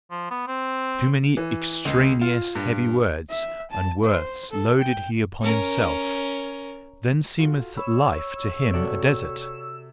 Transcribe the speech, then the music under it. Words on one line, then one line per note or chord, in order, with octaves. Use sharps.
Too many EXTRANEOUS heavy words and worths loadeth he upon himself--then seemeth life to him a desert!
F3
B3
C4
E3
C#2
F4
G2
E5
A5
C5
A4
G5
C#4 A#4
F4 F#4 A4
C#5 B5 E6
C3 F#4 A4 D5